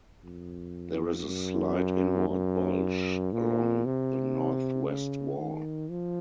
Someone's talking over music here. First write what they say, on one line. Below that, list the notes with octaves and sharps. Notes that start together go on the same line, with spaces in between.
There is a slight inward bulge along the northwest wall.
F2
F#2
F#2
A#2
C3
C#3
D#3
F3